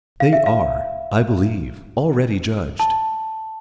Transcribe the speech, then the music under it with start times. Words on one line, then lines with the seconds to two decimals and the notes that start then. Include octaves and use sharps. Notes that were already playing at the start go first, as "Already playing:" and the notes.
They are, I believe, already judged.
0.20 F5
0.33 E5
0.46 F5
2.80 A5